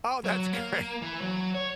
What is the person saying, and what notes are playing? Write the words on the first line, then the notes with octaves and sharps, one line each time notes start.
Oh, that's great.
F#3
A#3
E3
F#3
C#5